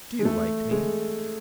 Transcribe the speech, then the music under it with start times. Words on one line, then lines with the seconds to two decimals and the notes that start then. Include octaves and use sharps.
"Do you like me?"
0.19 G#3
0.25 A3
0.71 G#3